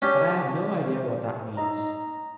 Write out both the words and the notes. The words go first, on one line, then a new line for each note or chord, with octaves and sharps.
But I have no idea what that means.
C#4 D4 G4
C5
D#4 D#5 A#5